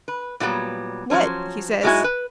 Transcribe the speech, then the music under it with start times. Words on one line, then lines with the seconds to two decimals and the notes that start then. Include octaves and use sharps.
"What?" he says.
0.08 B4
0.40 A#2 F#3 G3 A#3 B3
1.10 F3 F#3 C#4 C5
1.83 G#2 F#3 G#3 E4 F#4 G#5
2.04 B4